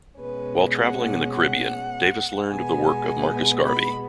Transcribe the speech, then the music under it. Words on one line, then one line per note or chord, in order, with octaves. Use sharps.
While traveling in the Caribbean, Davis learned of the work of Marcus Garvey.
B2 G#3 C#4 B4
F#5
F#5
B2 G#3 B3 G#5
B5